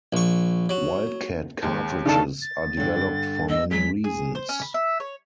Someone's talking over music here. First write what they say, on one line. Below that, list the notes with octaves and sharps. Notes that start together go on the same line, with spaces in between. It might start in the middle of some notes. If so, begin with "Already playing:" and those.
Wildcat cartridges are developed for many reasons.
A#1 C#6
F#3
D#2 G#3
C#3 D4 D#4 A4 A5
A6
G2 D3
D#5 E6
F#3 G#3 B6
G#4
C5
C#4
B5
E5
C#5